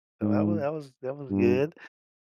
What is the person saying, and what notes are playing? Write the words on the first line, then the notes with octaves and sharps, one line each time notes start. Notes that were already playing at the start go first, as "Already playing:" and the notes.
so that wa that was that was good,
G#2
G2